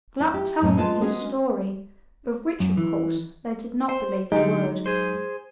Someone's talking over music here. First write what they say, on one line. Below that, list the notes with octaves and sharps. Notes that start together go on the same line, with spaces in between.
Gluck told them his story, of which, of course, they did not believe a word.
E4
G4
F#2 A2 C#3 C#4
G#3 F4 B4 A5
G#3 B3 C#4 F#4 G#4 B4
F#2
E3
C5
D3 F#3 G#3 D#4 G4
G#4 C5